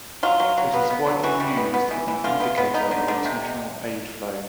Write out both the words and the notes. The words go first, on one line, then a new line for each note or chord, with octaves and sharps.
It is widely used as an indicator of international aid flow.
F#3 F4
F#3
F#3
B3
B3
F#3
E3 F#4
G3
B3
B3
E3
E3
D3 F4
B3
B3
B3 D#4
D3
D3
C3